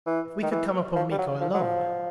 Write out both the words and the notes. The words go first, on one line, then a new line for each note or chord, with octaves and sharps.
If we could come upon Miko alone!
E3
D#3
E3
F3
G3
F#3
F3
F#3
F3